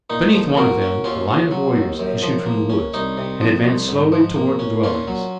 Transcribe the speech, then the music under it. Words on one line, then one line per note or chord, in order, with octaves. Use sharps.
Beneath one of them, a line of warriors issued from the woods, and advanced slowly toward the dwellings.
A#2 D#4
F3
A#3 F#4 A#4
C#4
D#2 C#4 F4
C#3
F#3
D#2
F#2
F3
A#3
C#4
C2 D#4
C3
F3
C2
G#2
F3
A#3
C#4
A#2 C#4 F4
F#3